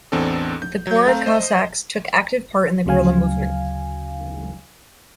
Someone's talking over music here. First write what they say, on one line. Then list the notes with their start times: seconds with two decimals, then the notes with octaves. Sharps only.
The poorer Cossacks took active part in the guerrilla movement.
0.12 A1 E2 C4 D4 A4
0.62 G6
0.87 F#3 G6
1.06 A3 C4 F5 A#5
1.26 C5 D#5
2.86 D2 C#3 F#3 F5 G#5